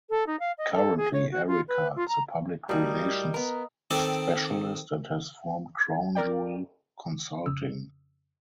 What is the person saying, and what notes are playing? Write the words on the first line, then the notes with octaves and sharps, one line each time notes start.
Currently, Ericka is a Public Relations Specialist and has formed Crown Jewel Consulting.
A4
D#4
F5
D#5
A4
G#4
C#5
F#4
F4
B4
F4
A#5
A2 G3 F#4 A#4 D#5 F5
B3 A#4 A#5
D#3 C4 A4 D5 D6
A#4 D5 G5
F2 C#3 D#6 E6